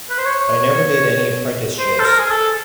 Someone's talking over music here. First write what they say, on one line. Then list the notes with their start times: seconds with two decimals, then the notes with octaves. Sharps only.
I never did any apprenticeships.
0.10 B4
0.18 C5
0.25 C#5
1.79 C5
1.99 A4
2.04 A#4
2.19 G#4
2.31 A4